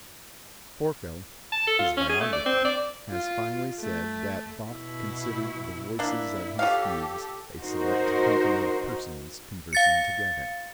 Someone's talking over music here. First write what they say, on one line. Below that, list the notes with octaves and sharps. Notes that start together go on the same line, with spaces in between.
Forkel, his biographer, has finely said that Bach considered the voices of his fugues a select company of persons conversing together.
A5
A4
F4
C#4
G#4
A3
D5
C4
D5
F4
A3
B2 E4
A#3 D4 E4
F4 G4 A4 C#5 F5
D#4 F#4 A#4 C5
F5 A6 C#7